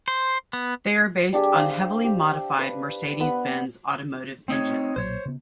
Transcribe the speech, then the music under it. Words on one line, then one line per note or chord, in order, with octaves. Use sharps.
They are based on heavily modified Mercedes-Benz automotive engines.
C5
B3
G3 D4 G4 G#4
G#4 C5 E5 F5
G5
G4
B4
B3 B4 F#5 B5
A3 C4 D#4 C#5
B1 A#2 F#3 C5 C#5
C#3 B3